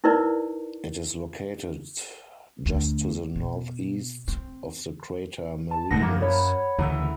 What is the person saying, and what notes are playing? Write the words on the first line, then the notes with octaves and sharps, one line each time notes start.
It is located just to the northeast of the crater Marinus.
D#4 E4 A#4 B4 D5
D2
B2
C4
A5
D#1 D2 A3 F#5 A#6
F#2 F3 A#3
C#5 B5
D2 C#3 E3 E5 F#5 A#5